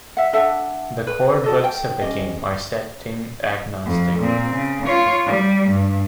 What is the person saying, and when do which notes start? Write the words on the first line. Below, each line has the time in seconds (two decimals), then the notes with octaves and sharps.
The core books of the game are setting-agnostic.
0.17 E5 F#5
0.33 D4 A4 E5 F#5
1.07 B4
1.44 F#4 A4 D#5
1.64 G5
2.01 C#4 G4 D#5
3.85 F2
4.20 A#2 C4
4.55 C#3
4.86 F4 C#5
5.26 G3
5.70 G2